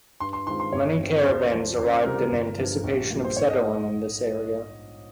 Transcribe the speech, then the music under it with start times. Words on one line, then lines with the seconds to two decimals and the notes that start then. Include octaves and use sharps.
Many caravans arrived in anticipation of settling in this area.
0.20 G2 C6
0.33 C6
0.47 D#3 G#3 C4 F4 C6
0.60 C6
0.73 G1 C#5
0.99 G2 F3 C4
1.26 C#2 C5
1.52 C#3 F3
1.78 C#2 C5
2.05 C3 G3 C4 F4 A#4
2.31 G1
2.58 G2 F3
2.83 A#1
3.10 A#2 G3
3.24 C5
3.37 G#2 C#5
3.50 D#5